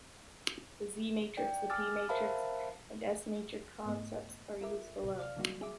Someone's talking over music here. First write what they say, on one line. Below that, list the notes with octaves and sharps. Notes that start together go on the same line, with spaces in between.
The Z-matrix, P-matrix and S-matrix concepts are used below.
D5 G5
G#5 D6 E6 F6 A6
A#4 C5 E5 F5 A5 B5
G#2 A3 B3 D#5
F4 A4 A#4 E5 D6
A1 C3
D5 F5 F6
D3 F#3 G3 A#3 D#4 F#4
G#4 E5 D6